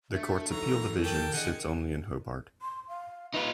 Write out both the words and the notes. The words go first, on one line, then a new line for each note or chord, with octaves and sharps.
The Court's Appeal division sits only in Hobart.
A3 D4 E5
E3 F#3 D#4 A4 A#5 C#6
G4 A#4 G5 A5
D3 G#4 D#5 F#5 G#5
C6
F5
D#4 F4 B4